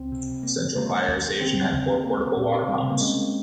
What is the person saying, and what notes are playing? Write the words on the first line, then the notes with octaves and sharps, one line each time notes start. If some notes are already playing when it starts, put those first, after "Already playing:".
Central Fire Station had four portable water pumps.
Already playing: C#2 C4
C3
A#3
G#3 A#3
D#2
D#3 C4
D#2
A#3
A#2
G3 C4
A#3
G#3 C#4